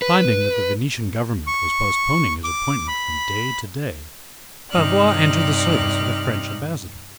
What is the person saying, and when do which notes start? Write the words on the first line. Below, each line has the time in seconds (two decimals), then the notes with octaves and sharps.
Finding that the Venetian government was postponing his appointment from day to day, Bavois entered the service of the French ambassador.
0.02 B4
1.47 C#6
2.44 D6
2.88 B5
4.71 G2 C3 D#4 D5 F6 F#6